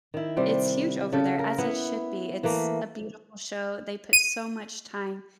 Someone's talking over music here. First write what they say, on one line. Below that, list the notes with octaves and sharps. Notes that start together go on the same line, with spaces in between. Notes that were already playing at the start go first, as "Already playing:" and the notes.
it's huge over there as it should be, it's a beautiful show, they put so much time
D#3 E4
C3 G3 C5 G5
C#3 A4
A#4
B3 E4 F#5
E3 A3 A#3
D#7